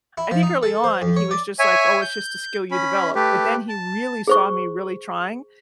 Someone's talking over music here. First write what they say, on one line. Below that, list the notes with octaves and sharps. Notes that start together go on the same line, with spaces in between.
I think early on he was just, like, "Oh, it's just a skill you develop," but then he really saw me really trying,
E4
F3
D#4
A4
C5
F2
C#5
D5
C#5 E5 G#5
G6
C#4 B5
A3 G4 B4
A5
G#4 C5 C#6